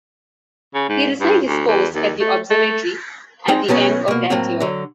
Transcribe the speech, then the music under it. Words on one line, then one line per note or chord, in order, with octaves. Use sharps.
He resigned his post at the observatory at the end of that year.
C#3
G#2
G2
D2
E2
D#2
A3
A3
G#3 C4 D#4 G5
B2 F#3 B3 C#4
B2 A#3
A2 F#3 A#3 C4
D3 F#3